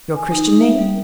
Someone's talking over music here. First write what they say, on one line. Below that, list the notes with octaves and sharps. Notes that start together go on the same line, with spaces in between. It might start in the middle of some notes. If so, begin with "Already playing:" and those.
"Your Christian name?"
G#5
D#4
D#4
E5
G3